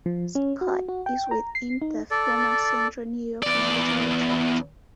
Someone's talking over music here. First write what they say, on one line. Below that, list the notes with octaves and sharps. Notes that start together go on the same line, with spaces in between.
Scott is within the former Central New York Military Tract.
F3
C#4
F#4
F#4
G5
A#5
C7
D#4
A4 D5
E2 D5